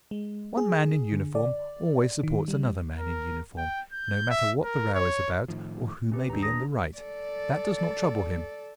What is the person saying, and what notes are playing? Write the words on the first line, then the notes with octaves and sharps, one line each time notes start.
One man in uniform always supports another man in uniform, no matter what the row is about, or who may be in the right--that does not trouble him.
G#3
G#4
D3
D5
D#3
G3
A#4
G5
G6
E5
A#4
C#5
A2 D#3 F3
C3 C#4 G4 B4
D#2 D4 A#5
D#6 A#6
A4 D5